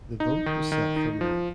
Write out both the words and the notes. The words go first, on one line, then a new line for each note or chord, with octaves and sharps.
The vote was set for May.
D#4
D#3
D#3
D#4
F3